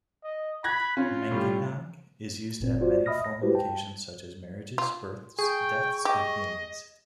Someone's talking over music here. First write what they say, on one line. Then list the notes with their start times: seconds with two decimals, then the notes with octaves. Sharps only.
Menginang is used at many formal occasions such as marriages, births, deaths, and healings.
0.23 D#5
0.64 B5 F#6 G#6 A#6
0.97 C#4 F4
1.31 A2 G3
2.60 G1 A#2 C4
2.81 F4 F#4 C5 D5
3.06 D#5 E5 B5 D#6 F6 A#6
3.24 A#6
3.42 G#3 E4 F#4 G4 B4 C5
3.55 G5 A5
4.78 F4
5.39 G#4 G5 C#6
6.05 G4 D#5